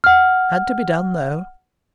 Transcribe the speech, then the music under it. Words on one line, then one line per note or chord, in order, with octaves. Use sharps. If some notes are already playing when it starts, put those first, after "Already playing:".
Had to be done, though.
F#5 F6